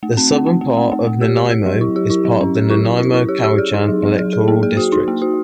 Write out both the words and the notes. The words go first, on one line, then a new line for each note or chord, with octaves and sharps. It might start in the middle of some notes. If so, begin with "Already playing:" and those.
The southern part of Nanaimo is part of the Nanaimo-Cowichan electoral district.
A3
C4
A3
A3
A3
A3
A3
A3
G4
G4
G4
F#3
E4
G4
E4
F#3
C#4
G4
E4
E4
E4
E4
G4
G4
G#4
D#4
F#3
F#3
G#4
G#4
A#3
G#4
F#4
D#4
A#3
F#4